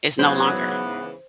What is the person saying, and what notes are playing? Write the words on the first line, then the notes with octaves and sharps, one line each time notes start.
is no longer.
G#2 C#3 E3 F#3 B3 C5